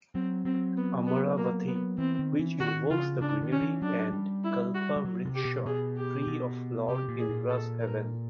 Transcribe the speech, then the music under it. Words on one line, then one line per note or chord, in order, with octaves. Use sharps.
Amaravathi, which invokes the greenery and Kalpavriksha tree of Lord Indra's heaven.
F#3 C4
F#3 C4
B3
B3
A#3
B3
E3 C4
D#3
E3
D#3 F#4
C#3 F4
C#3 D4
D#3
C#4
E3
F#3 D4
G3
E4
F#4
G3
F#3
C3
G4
B2
B2 G#4
G4
B2
C3 G4
A#2
G#4
A#2
A4
A#4